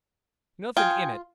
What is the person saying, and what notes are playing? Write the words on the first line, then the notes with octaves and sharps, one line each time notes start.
Nothing in it?
F4 G5 G#5 D#6